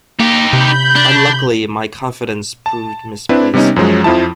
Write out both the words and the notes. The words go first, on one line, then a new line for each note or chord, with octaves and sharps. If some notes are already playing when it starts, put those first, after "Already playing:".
Unluckily, my confidence proved misplaced.
A#3 D#4 G4
C3 B5 G6
D4
A5
C4 D4 E4 B4
C3 G3 B3 C#4 D#4
F#2 F3 F#3 G#3
F2 F3 E4 A5